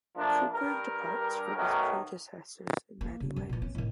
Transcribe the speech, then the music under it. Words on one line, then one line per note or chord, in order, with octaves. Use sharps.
Couperin departs from his predecessors in many ways.
F3 A3 A#3 D4
G2 A#4
B1 D#3 A3 C#4 F#4 A#4
A#3
C#3
F#2
A#2 E3
C#4
A2 D#3